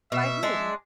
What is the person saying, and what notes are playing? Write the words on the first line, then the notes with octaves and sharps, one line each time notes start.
"By whom?"
B2 E5
G#3 D4